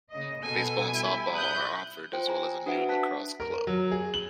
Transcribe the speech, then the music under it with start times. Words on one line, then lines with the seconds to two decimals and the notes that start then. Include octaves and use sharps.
Baseball and Softball are offered as well as a new Lacrosse club.
0.11 C#3 A#3 D#5
0.43 B2 A4 G#5
0.91 G3 E4
1.34 D#6 F#6 G6
2.12 F4 C5 G5
2.27 G#5 A#5
2.66 D4 F#4 B4 E5 F#5 D7
2.88 B4 A5 F#6 B6
3.40 A#4
3.67 F#3
3.91 G#4
4.14 F#7